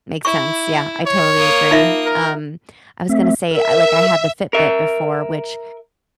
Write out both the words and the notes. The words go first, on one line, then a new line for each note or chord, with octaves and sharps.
Makes sense, yeah, I totally agree. Um, I was gonna say, I like, I had the Fitbit before, which
E4 C#6
C#5
A#3 D#6
D#4 F4 E5
A#4
A3 C4 E5
A#4 E5
A#4 E5